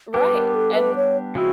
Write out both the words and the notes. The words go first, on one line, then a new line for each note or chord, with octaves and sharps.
Right, and
G3 B3 D4 G4 B4
A#4
A4
B4
C#5
C#3 F3 G#3 C4 E4 F#4